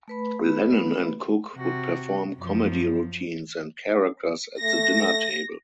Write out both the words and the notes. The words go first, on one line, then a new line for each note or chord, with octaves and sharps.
Lennon and Cook would perform comedy routines and characters at the dinner table.
A3 B4 B5
C3 F#4
F#2 F3
A3 A#6